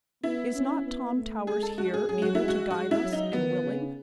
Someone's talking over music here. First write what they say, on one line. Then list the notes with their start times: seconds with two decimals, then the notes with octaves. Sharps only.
Is not Tom Towers here, able to guide us and willing?
0.24 B3 E4
0.55 C#4
0.85 B3
1.16 A3
1.47 G#3 G#4
1.62 A4
1.78 F#4
1.94 G#4
2.09 F#3 G#4
2.22 F#4
2.35 E4
2.41 G#3
2.48 F#4
2.71 G#3 F#4
2.91 E4
3.03 F#3
3.12 D#4
3.33 D#3 B3
3.63 C#3